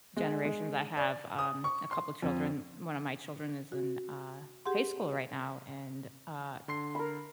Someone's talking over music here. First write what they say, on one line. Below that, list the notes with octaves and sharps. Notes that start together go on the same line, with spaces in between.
generations, I have, um, a couple children. One of my children is in, uh, high school right now, and, uh,
G#3
G#3
D5
D#6
C#6
C6
F2
F#4
G4 G#4 F#5 C6
D3 C6 C7
A#4 B5